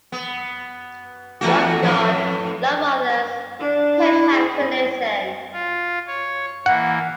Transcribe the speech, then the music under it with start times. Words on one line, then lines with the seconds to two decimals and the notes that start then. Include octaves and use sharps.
Love God, Love Others, Take Time to Listen.
0.12 B3
1.41 E2 A3 F#4
1.83 F2 A2 B4
3.60 D4
3.97 E4
4.32 G#4
5.53 F4
6.07 C#5
6.66 E3 A#3 F#5